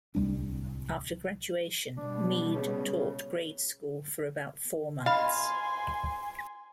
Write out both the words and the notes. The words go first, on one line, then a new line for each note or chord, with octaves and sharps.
After graduation, Mead taught grade school for about four months.
D1 C2 G3 D4
B2 G3 D4
C#3
D#5 F5 G#5 B5 C6